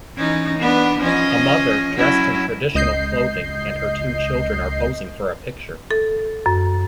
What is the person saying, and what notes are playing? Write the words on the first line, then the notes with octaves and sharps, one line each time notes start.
A mother, dressed in traditional clothing, and her two children are posing for a picture.
E3 C#4 D#4
B3 D4 B4
F3 C#4 D#5
F#3 C#4 E4
C#2 D#5 G6 C7
A4
F#2